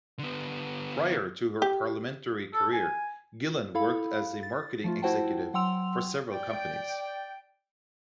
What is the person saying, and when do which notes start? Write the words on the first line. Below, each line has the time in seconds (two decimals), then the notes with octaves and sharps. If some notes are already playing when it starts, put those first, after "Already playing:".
Prior to her parliamentary career, Gillan worked as a marketing executive for several companies.
0.19 D3 B3
1.62 G4
2.54 A4
2.73 G#5
3.75 E4 A4 F5 B5
4.43 A6
4.84 F3 A3 F4
5.02 E4 F#4 C5 F#5 G5 A5
5.54 F#3 F#5 G5 C6 E6 F7
6.32 D5 G5